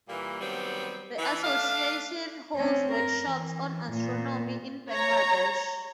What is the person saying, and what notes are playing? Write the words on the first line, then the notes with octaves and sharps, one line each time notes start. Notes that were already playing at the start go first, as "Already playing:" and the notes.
The Association holds workshops on astronomy in Bangladesh.
A#2 E3 G3 A#3
D#3 F#3 G3 B3 C4
E3
A3 D4 F5
C4 C#4
A#4
E3
A#2
C#5 A#5